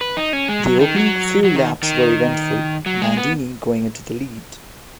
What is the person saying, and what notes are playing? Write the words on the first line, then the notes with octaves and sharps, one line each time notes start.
The opening few laps were eventful - Bandini going into the lead.
B4
D#4
C#4
G#3
F#3
D#3
F#3
F#3
D#3
D#3
F#3
G#3
B3